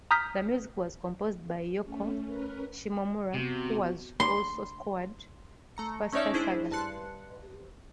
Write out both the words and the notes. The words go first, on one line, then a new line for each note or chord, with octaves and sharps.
The music was composed by Yoko Shimomura, who also scored "Superstar Saga".
A#5 D#6 F6 G6 B6
A3 C#4
C#4 A#4 B4
C3 B3 F#4
C6
A3 A#5 C#7
A3 C#4 D#4 C#5 D5 E5
D4 E4 G#4 C5
G2 A5 C6 F#6 C#7